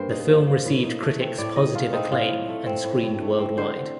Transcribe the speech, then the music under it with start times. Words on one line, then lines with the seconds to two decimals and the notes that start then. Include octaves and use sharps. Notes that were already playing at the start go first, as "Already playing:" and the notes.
The film received critics positive acclaim and screened worldwide.
Already playing: G2 A#3 C5
0.10 D#4
0.29 F3
0.47 A#3
0.65 A2
0.83 D#4
1.02 A3
1.20 C4
1.38 A2 D5
1.56 D#4 D#5
1.75 A3 F4
1.93 C4 D#4
2.11 A2 F4
2.29 A2
2.48 A3
2.66 C4
2.84 A2
3.03 A2
3.21 A3
3.39 C4
3.57 D3 C5
3.75 D3